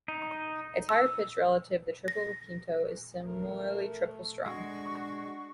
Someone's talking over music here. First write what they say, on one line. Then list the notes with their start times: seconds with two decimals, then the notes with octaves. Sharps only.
Its higher-pitched relative, the tiple requinto, is similarly triple-strung.
0.08 D#4
0.89 E6
2.08 A#6
3.24 A3 A#4
4.46 G#3 D4 F#4 C#6